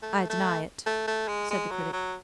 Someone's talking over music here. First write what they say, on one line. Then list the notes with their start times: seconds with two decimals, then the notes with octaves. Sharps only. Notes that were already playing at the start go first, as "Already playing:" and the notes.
"I deny it," said the Critic.
0.02 A3
0.30 A3
0.86 A3
1.07 A3
1.28 G#3
1.51 G#3
1.71 F#3
1.93 F#3